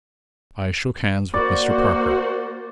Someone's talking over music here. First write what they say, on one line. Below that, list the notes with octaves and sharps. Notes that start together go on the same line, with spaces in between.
I shook hands with Mr. Parker.
A#3 F#4 C5 D5